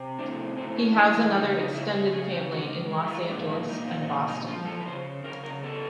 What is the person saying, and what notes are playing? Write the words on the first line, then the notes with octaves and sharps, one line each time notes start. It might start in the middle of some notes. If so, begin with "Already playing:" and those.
He has another extended family in Los Angeles and Boston.
Already playing: C3
A2 D4
A2 C4
C#4
E3 D4
D4
D4
C#3 D#4
D#4
C#3 E4
G#4
C#3 G#4
G4
G#3 F#4
G#3
E4
F4
A#2 D4
E4
A#2 D#4
C4
D#4
C#3 D4
D#4
F3 F4
A4
B4
C#3 C5
C#3 A#4
A#4
B3 A4